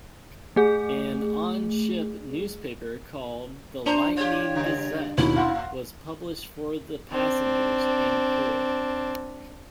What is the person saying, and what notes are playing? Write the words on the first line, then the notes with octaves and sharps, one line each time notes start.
An on-ship newspaper called the "Lightning Gazette" was published for the passengers and crew.
A3 G#4
D4 C5 A#5
F4 G4 C#5
C#3 G3
D#2 B2 D#3 E4
A2 F5 F#5 C6
C4 D4